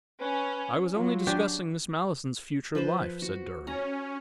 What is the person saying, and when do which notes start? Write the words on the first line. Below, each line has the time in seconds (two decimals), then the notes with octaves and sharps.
"I was only discussing Miss Malleson's future life," said Durham.
0.21 C#4 B4
0.95 F#3 F4
1.27 D4 G4 G#5
2.75 F3 B4 C5
3.22 F#4
3.67 C#4 A#5